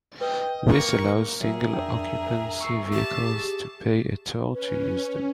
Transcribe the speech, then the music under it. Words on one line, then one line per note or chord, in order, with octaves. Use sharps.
This allows single-occupancy vehicles to pay a toll to use them.
B4 D#5 G5
A#3 A#4 C#6
F#3 G#4 A#4 E5
F2 D4 G5
C#6 E6 C7
G4 A5
G#4
C#4 B4